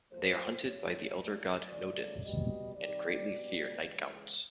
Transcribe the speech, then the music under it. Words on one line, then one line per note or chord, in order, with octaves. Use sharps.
They are hunted by the Elder God Nodens and greatly fear nightgaunts.
A#2 F3 A3 C5
C3 F3 A3 C#5
A2 F3 A3 D5
C#3 F#3 A3 D5
B2 G3 D#5
C3 D#3 G3 D5
B2 G3
C#3 E3 G#3